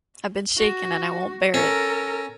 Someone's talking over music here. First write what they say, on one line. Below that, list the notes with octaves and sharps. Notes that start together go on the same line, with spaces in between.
I've been shaken, and I won't bear it!
F#4
C#4 A4 A#4